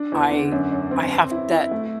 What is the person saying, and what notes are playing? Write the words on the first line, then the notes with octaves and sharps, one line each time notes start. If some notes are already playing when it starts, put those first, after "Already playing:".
I I have that
Already playing: D4
E2
D3
F#2
F#2
C4
C4
E4
E4
A3